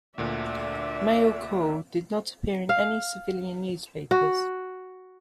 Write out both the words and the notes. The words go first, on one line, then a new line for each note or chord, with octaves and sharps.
"Male Call" did not appear in any civilian newspapers.
D2 A#2 D3 D5 E5
F5
F#4